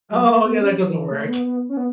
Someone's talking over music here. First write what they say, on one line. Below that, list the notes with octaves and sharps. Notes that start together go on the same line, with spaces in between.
Oh, yeah, that doesn't work.
F#3
A3
B3
C#4
F#3
F#3
E3
A3
B3
B3
C#4
B3